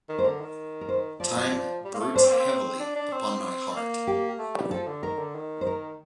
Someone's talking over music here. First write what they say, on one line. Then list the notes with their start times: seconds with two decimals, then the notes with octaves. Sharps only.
Time broods heavily upon my heart.
0.09 D#3
0.19 C5
0.24 D3 A#4
0.41 D#3
0.81 A#4
0.89 C5
1.20 F3 D5
1.37 D#5
1.52 D5
1.85 G3
1.94 A#3
2.00 A3
2.15 D4 C5
2.24 C4
2.32 A#3
2.40 C4
2.80 D4
2.96 D4
3.12 C4
3.76 A#3
4.07 G4
4.39 A3
4.55 G3
4.71 F3 A4
4.87 D3
5.03 D#3 A#4
5.18 D3
5.35 D#3
5.61 C5
5.67 A#4